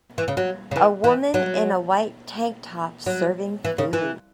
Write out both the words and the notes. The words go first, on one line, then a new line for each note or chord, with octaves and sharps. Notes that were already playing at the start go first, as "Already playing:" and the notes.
A woman in a white tank top serving food.
E3
C#3
F#3
C#3
E3
E3
F#3
F#3
E3
C#3
E3